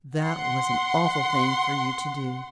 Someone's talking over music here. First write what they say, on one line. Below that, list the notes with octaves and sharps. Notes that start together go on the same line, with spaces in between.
That was an awful thing for you to do.
F#5 C6